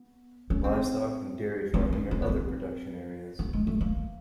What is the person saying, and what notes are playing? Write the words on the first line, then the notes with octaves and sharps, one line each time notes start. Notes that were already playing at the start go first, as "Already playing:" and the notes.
Livestock and dairy farming are other production areas.
Already playing: B3
C#4
C4
C4
C#4
C4
B3
C4
B3
G#3
A3
A#3